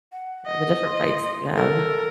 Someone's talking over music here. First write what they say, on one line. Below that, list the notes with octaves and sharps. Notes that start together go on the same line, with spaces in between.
Yeah. The different fights that you have.
F#5
D#5
C6
A4 A#4